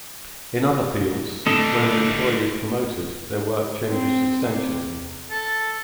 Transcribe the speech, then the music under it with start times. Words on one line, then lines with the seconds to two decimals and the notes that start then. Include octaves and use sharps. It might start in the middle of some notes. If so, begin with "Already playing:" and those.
In other fields, when an employee is promoted, their work changes substantially.
1.47 A2 D3 G3 A4 D#5
3.88 C4
4.44 C3
5.31 A4